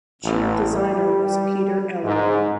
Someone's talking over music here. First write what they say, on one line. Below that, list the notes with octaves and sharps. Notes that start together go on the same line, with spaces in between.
Chief designer was Peter Elleray.
A1
G3
G#2